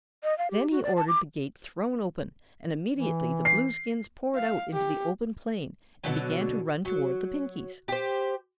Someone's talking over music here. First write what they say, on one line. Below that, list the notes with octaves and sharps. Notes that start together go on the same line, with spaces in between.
Then he ordered the gate thrown open and immediately the Blueskins poured out into the open plain and began to run toward the Pinkies.
D#5
F5
G4
F#4
D5
A5
D6
E3
C7
F5
G4
B2 D3 F#3
F#3
G4 C5